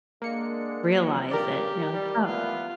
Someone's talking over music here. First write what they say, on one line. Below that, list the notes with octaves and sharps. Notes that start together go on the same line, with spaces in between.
realize it, you know, like, "Oh"
D3 G#3 A#3 D4 C#7
C#2 G2 G4 A#4 D5
G3
E3 B3 F4